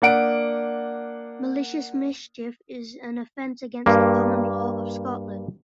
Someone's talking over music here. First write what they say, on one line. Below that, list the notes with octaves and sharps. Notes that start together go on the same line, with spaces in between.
Malicious mischief is an offence against the common law of Scotland.
A#3 D4 F#5 D7
G2 A#3